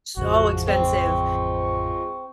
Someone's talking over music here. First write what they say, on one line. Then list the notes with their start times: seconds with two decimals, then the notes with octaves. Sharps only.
So expensive.
0.17 A1 F2 C#3 F3 G#3 F#4
0.68 C4 C#6